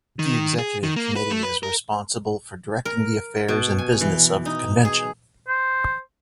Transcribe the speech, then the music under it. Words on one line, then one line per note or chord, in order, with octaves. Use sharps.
The executive committee is responsible for directing the affairs and business of the convention.
D#3
G#4
D#3
A#3
B4
A3
B4
A#4
A#4
B2
G#5
E3
D#4
G#4
C5